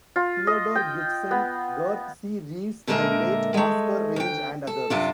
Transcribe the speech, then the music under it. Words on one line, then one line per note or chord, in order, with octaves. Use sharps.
Theodore Gibson, Garth C. Reeves, the late Oscar Range and others.
F4
D#5
G5
B3
A#2 D3 G#3 A#4 E5
G#3 A3
D2 G5
A4
F#2 C3 D4 F4